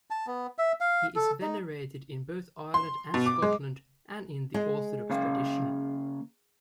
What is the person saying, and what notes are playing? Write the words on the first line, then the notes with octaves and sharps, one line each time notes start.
He is venerated in both Ireland and Scotland and in the Orthodox tradition.
A5
B3
E5
F5
A4
D#4
C6
B2
D6
G#3
G#3
C#3 A#3 F5